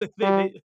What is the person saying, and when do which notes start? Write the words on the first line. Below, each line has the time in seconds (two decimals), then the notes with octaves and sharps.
they, they,
0.22 G3